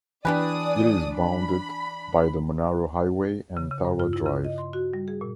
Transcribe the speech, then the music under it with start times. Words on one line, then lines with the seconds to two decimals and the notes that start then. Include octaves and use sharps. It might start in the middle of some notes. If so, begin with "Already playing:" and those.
It is bounded by the Monaro Highway and Tharwa drive.
0.25 E3 B3 D4 G4 B4 D5 G#5 D#6
1.17 B5
3.57 C#3
3.71 C#3
3.85 G2
4.00 F4
4.13 E4
4.26 C#3
4.45 D#5
4.58 C6
4.73 F#4
4.93 G3
5.08 G#4
5.21 A#2